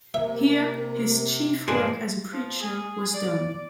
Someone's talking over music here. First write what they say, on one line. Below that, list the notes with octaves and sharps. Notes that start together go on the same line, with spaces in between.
Here his chief work as a preacher was done.
C3 A#3 A#4 E5
G2 A#2 F3 G#3 D4 G#4 A5
F3
G#4
D5